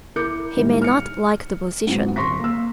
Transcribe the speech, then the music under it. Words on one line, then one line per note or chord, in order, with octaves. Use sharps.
He may not like the position.
E4 A#4 D6 G6 C#7
A2 D#3 G3 G#3
F6 C#7
G#2 F#3 B3 C4 F#4
D#1 C6 C#6 A#6 B6
A#3 E6